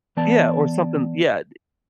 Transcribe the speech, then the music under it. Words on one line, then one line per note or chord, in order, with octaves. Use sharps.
Yeah, or something Yeah,
E3 B3 D5 A5